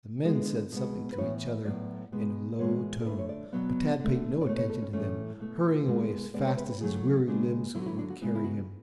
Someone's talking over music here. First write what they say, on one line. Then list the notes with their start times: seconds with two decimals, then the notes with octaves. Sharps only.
The men said something to each other in a low tone, but Tad paid no attention to them, hurrying away as fast as his weary limbs would carry him.
0.25 D3 G#3 B3
0.72 B2 G#3 B3
1.12 B4
1.18 A2 E3 B3 C#5
1.65 A2 F#3 B3 D5
2.12 B2 G#3 B3
2.59 A2 E3 G#3 B3 C#5
3.01 A4
3.06 D3 B4
3.09 A3
3.19 C#5
3.29 D5
3.53 B2 F#3 B3
4.00 D3 A3
4.41 D5
4.46 B2 A3 C#5
4.58 C#5
4.70 A4
4.82 C#4
4.93 A2 E3 A3 C#4
5.40 B2 A3
5.87 B2 G#3 B3
6.34 C#3 G#3 B3 D5
6.46 C#5
6.57 B4
6.70 B4
6.81 C#3 F#3 A3 G#4
7.28 C#3 G#3 B3 D4
7.74 D3 F#3 B3 E4
7.82 F#4
7.86 E4
7.98 D4
8.10 F#4
8.22 C#3 G#3 B3 E4
8.35 E4
8.44 F#4